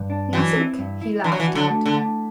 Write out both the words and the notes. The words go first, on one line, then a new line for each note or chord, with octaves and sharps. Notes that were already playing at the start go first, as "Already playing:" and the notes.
"Nothink!" he laughed out.
Already playing: G2
D4
E3 F#3
C4
G2
E4
E3 D4
F#3
E3
F#4
D3
A3
D3
A3